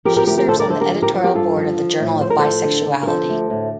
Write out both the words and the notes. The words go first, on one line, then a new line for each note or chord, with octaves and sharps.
She serves on the editorial board of the "Journal of Bisexuality".
F3 G4 A#4
G4 A#4
D2 G4 A#4
G4 A#4
D3 A4 C5
A#4 D5
D2 A4 C5
G4 A#4
F3
G4 A#4
F3
G4 A#4
G2 F4 A4
F3
F3
A2
F3 C5
A#4
A2 A4 C5
D3
D3
A#4
F3 A4 C5
D2
A2